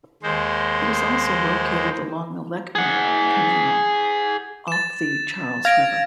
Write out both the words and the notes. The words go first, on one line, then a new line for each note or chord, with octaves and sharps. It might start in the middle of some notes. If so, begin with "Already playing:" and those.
It is also located along the Lechmere Canal off the Charles River.
D#2 G#3 C5
G#4 F#5
A6 E7
F5 G#6 A#6 D7